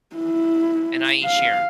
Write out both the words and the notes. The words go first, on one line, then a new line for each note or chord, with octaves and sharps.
and I ain't sharing."
E4
F5